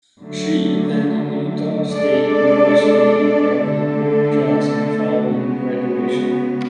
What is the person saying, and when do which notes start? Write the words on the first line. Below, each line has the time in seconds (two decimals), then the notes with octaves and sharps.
She attended Utah State University and married Rick Johnson following graduation.
0.21 D3 F#3 A3
1.90 G#3 D4 A4 D5
3.59 D3 A3 D4 A4
5.27 C#3 G#3 B3 F#4